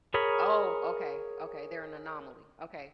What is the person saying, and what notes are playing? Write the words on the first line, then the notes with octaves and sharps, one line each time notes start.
Oh, okay, okay. They're an anomaly. Okay.
G#4 A#4 C#5 B5